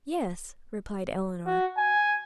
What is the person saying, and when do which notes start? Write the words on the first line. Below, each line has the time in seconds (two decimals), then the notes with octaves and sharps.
"Yes," replied Eleanor.
1.46 F#4
1.77 G#5